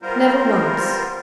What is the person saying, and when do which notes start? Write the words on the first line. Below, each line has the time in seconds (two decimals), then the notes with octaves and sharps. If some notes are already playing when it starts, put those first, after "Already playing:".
Never once!
0.02 G3 B3 F4 A#4 C5